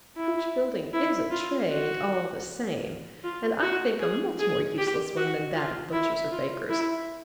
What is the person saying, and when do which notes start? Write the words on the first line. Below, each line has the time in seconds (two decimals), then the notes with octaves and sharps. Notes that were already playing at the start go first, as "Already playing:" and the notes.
Coach-building is a trade all the same, and I think a much more useless one than that of butchers or bakers.
0.16 E4
0.93 E4
1.31 F4
1.71 F#4
3.24 F4
3.62 F#4
4.00 G#4
4.40 G#4
4.78 G4
5.17 F#4
5.55 F4
5.93 E4
6.32 F4
6.69 E4